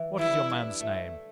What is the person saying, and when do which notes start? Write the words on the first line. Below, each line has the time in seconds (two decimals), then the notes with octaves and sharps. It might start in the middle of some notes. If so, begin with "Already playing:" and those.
What is your man's name?
Already playing: E3
0.19 G3 E4
0.50 D4
0.80 A3